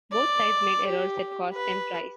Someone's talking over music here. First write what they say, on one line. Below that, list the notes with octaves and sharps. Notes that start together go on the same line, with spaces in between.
Both sides made errors that cost them tries.
D5
G4
B4